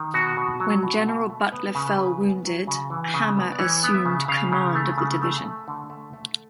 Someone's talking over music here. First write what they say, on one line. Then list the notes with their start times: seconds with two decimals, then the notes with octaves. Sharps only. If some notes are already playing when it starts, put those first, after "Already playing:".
When General Butler fell wounded, Hamer assumed command of the division.
Already playing: D#3
0.14 B2 F#4
0.37 B2
0.60 F#3
0.83 B2
1.07 B2
1.30 A3
1.52 B3 B4
1.75 C#3
1.87 B4
1.98 C#3
2.21 B3
2.45 F#3
2.67 C#3
2.90 E3
3.14 C#3
3.37 B3
3.52 D5
3.59 E3 C#5
3.83 B3
3.94 E5
4.05 C#3
4.28 C#3 F5
4.52 C#3
4.75 A3
4.98 C#3
5.22 A3
5.44 A3
5.68 D3
5.90 A3
6.13 A3